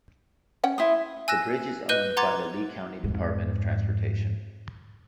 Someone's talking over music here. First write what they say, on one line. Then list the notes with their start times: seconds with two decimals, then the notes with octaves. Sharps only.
The bridge is owned by the Lee County Department of Transportation.
0.64 C#4 F#5 G5
0.78 E4 C6 D#6
1.28 G#5 E6 F#6 A#6 E7
1.89 B4 D#5 F#6 G6 D#7 G7
2.17 F#5 A#5 C6 D6 G#6 A6
3.04 F2 G#2